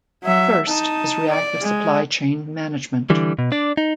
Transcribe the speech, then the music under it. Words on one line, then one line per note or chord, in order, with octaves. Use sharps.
First is reactive supply chain management.
F#3 E5
D#4 A5
D5
G#3
D3 E3 G3
B2
D4 D5
D#4